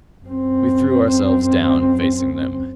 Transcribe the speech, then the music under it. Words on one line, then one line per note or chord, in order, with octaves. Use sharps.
We threw ourselves down, facing them.
F#2 C4